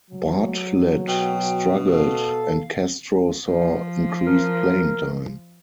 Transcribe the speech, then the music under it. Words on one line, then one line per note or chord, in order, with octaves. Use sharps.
Bartlett struggled and Castro saw increased playing time.
F#3
B2 G5
A4 F5
F3
A#4